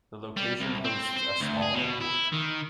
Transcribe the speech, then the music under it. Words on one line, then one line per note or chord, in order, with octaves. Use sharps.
The location hosts a small airport.
G3
C2
C4
C5
D2
G#4
B2
E4
D#3